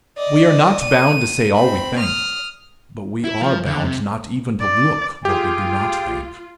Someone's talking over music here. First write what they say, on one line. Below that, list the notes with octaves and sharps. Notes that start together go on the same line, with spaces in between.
We are not bound to say all we think, but we are bound not even to look what we do not think.
D5 D#5
D#7
C4 B5
D#6 F6
E4
F3
D3
C3
D5
F4 G4 G#4 G5